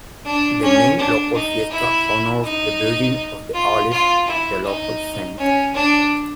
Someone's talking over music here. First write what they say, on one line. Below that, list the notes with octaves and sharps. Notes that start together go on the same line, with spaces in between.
The main local fiesta honours the "Virgin of the Olive", the local saint.
D4
C#4
D4
D#4
E4
D#4
F4
F4
E4
D#4
C#4
D4